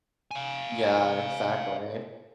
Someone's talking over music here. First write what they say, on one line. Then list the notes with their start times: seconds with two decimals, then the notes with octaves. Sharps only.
Yeah, exactly.
0.31 F5 G#5